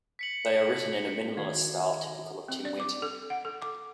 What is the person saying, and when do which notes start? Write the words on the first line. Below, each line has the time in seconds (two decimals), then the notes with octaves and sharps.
They are written in a minimalist style typical of Tim Winton.
0.19 B6 C#7 F#7
1.37 D#3 F#4 F5 G#6
2.48 C4
2.65 D5
2.80 D6
3.02 A4
3.30 F#5
3.45 A4
3.62 D6